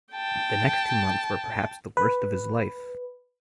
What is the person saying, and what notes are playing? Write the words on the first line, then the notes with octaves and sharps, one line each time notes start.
The next two months were perhaps the worst of his life.
G5 A5
B4